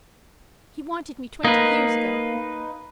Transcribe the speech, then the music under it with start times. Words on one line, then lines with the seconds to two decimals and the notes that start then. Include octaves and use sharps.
He wanted me twenty years ago.
1.45 A#3 D#4 B4